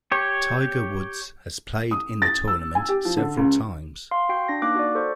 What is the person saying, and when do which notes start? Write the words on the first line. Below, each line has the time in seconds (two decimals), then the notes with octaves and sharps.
Tiger Woods has played in the tournament several times.
0.12 G4 C#5
1.91 D#6
2.22 A6
2.48 E6
2.75 G#5
2.89 G4
3.05 F3
3.17 D3
3.37 C#2
4.11 F5 C6
4.29 F#4 G5 C7
4.48 D4 A#6
4.62 A#3 D#4 D6 F#6
4.75 F#4 D5
4.95 A4 C5 C#6